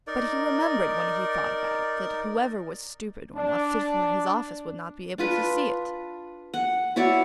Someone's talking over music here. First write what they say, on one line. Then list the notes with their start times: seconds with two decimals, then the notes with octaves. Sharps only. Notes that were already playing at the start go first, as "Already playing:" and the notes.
But he remembered when he thought about it that whoever was stupid or not fit for his office would not be able to see it.
0.07 D#4 A#4 D5
3.36 D4
5.18 D4 F4 B4
6.54 F#5
6.96 E4 F#4 C#5 D5